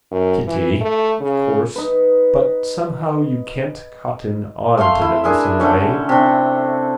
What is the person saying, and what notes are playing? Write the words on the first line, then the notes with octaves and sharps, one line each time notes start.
Pity, of course: but somehow you can't cotton on to them someway.
F#2
E3
A3
C#3
D#4 B4
A3 E5 F5 C6
E4
D4 G#4 A#4 E5
D3 A3 C#4
C3 D4